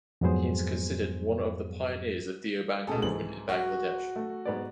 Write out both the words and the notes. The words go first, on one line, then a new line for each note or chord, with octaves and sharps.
He is considered one of the pioneers of Deoband movement in Bangladesh.
F2 G#2 F#3 B3 G#4 C5
C#2 B2 G#4 A4
C2 G#2 E3 F#7
F#4
A3
G#2 B3 D5